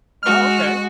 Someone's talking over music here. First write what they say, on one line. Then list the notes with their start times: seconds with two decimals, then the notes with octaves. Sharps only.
Oh, okay.
0.23 G#3 F#4 F6